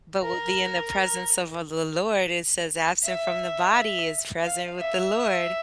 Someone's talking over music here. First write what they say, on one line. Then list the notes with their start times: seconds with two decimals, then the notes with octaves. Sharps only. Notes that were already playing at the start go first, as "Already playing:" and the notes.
But we'll be in the presence of a the Lord, it says "Absent from the body is present with the Lord."
0.22 A#4
3.03 E5
4.43 F5
4.78 E5